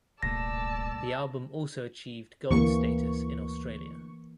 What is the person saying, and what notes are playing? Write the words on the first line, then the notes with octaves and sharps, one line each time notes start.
The album also achieved gold status in Australia.
D1 C2 A#2 A3 D5 A5 E6 A#6
D2 E3 A#3 C#6